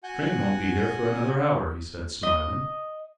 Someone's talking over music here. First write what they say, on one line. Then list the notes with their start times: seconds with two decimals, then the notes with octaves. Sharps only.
"The train won't be here for another hour," he said, smiling.
0.04 F#4 F#5 G#5 F#6 G6
2.23 D#5